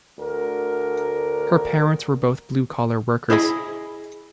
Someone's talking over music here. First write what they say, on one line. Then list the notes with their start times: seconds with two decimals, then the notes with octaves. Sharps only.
Her parents were both blue collar workers.
0.19 D2 A#4
3.30 E4 G#4 D#5 B5